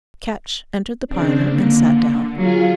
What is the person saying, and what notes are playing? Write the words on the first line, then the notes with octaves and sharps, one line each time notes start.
Ketch entered the parlour, and sat down.
C#3 C4 D4
D3 A#3
F#3 F4 G#4 F5